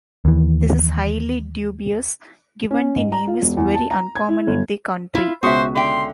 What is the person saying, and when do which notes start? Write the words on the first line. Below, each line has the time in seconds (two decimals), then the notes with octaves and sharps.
This is highly dubious, given the name is very uncommon in the country.
0.25 D#2 E3
2.71 C#4
2.96 G#2
3.12 A#5
3.27 F4
3.42 E1
3.57 E2
3.74 A5
3.91 A#5
4.15 G#6
4.29 E4
4.47 G1
5.15 E4 F4
5.43 C#2 B2 F#4 C5 E5 D#6
5.75 D3 E5 G5 C6